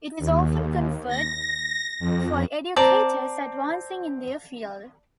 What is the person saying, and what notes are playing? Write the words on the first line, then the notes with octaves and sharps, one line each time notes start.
It is often conferred for educators advancing in their field.
D#2
A#6
F2
C4 D5 A5 A#5